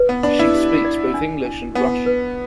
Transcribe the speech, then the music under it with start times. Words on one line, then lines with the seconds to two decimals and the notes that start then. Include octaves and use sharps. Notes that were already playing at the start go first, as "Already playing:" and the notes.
She speaks both English and Russian.
Already playing: B4
0.09 B3
0.23 D4 B5
0.39 E4
0.54 G4
0.85 D5
1.14 D4
1.45 D4
1.75 B3 D4
2.06 B4